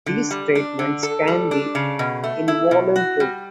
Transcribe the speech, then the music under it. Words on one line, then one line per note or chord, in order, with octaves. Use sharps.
These treatments can be involuntary.
D3
G3
D4
D3
A4
G3
D4
C#3
B2
A3
E4
B2
F#4
G3